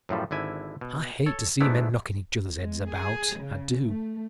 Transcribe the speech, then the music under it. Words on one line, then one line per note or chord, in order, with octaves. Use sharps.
I hate to see men knocking each other's heads about,--I do.
F#2 A2 F3 G3
G#1 D3 E4 G#5
B2
A4 C#5
G#2 A3 B3 D4 E4
G#3
G#4
C#3
A3